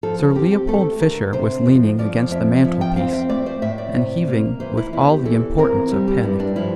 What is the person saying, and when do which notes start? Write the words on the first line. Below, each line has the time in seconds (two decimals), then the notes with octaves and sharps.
Sir Leopold Fischer was leaning against the mantelpiece and heaving with all the importance of panic.
0.03 F3 A4
0.20 A4
0.35 C4 G4
0.52 G4
0.67 A3 A4
1.00 D3 A#4
1.33 C3 C5
1.66 F2
1.99 F3 D5
2.31 F2 E5
2.64 F3 E5
2.81 G5
2.96 C4 F5
3.13 E5
3.29 A3 D5
3.46 C5
3.62 A2 E5
3.78 D5
3.95 C3
4.28 A#3
4.60 E3 C5
4.77 E4
4.93 E2 E4
5.10 G4
5.25 E3 A4
5.58 C4 A#4
5.91 G3
6.08 G4
6.23 G2 E4
6.40 D4
6.56 F3 E4